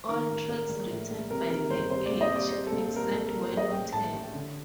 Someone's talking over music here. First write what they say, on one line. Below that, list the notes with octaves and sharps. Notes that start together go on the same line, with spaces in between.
All tracks written by The Edge except where noted.
D#3 A#4
A1
A1 A#4
A#1
A2
A#1
C3 A#4
D#3 A#4
G1 C5
C2 C5
A#2 D5
D#5
C2
D5
C2 C5
A4
A#2
A4
C2 A#4
A#1 A4
A#4
A#2
C5
A#1 D#5
A1 G5
A2 A5
A1
D3